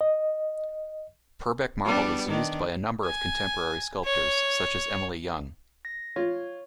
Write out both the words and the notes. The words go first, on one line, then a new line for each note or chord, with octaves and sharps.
Purbeck Marble is used by a number of contemporary sculptors, such as Emily Young.
D#5
G3 B3 D4
D#3 D4
G#5
C#5
A#6
F4 C#5